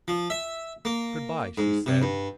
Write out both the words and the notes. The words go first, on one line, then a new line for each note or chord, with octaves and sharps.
"Good-bye," she said.
F3
E5
A#3
G#2
C3
G2